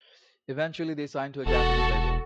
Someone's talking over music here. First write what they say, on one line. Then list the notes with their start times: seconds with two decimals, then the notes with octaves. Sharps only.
Eventually, they signed to a Japanese label.
1.46 E1 F#4 A4